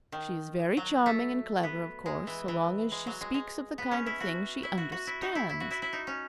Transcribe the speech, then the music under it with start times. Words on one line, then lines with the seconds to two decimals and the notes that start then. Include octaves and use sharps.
She is very charming and clever, of course, so long as she speaks of the kind of thing she understands.
0.12 D#3
0.77 F#3
1.06 A3
1.63 B3
2.06 G#3
2.27 E3
2.48 E3
2.92 G#3
3.07 F#3
3.21 G#3
3.34 G#3
3.78 B3
3.91 C#4
4.06 E4
4.20 F#4
4.63 E4
4.78 F#4
4.92 F#4
5.07 E4
5.22 D#4
5.35 E4
5.49 E4
5.60 F#4
5.71 E4
5.82 E4
5.93 D#4
6.07 C#4